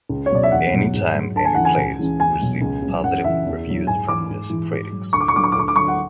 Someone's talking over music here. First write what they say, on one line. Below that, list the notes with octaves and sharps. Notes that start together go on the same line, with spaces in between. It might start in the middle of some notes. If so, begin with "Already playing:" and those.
"Any Time, Any Place" received positive reviews from music critics.
C#2
C#5
B2 F#3 D5
E5
E2 F#5
B2 F#3
G#2
F#3
D2 A5
G#5
C#3 E3 F#5
G#5
C#2
C#3 E3
E2 G#5
B2 F#3
C#2
C#3 F#3
F#2 F#5
C#3 E3 E5
E2
D3 F#3
G#2 G#5
E3 D6
G#2
E3
G#2
F#3
D2 C#6
D6
C#6
D3 F#3 D6
C#6
D6
D2 C#6
D6
D3 F#3 C#6
F#5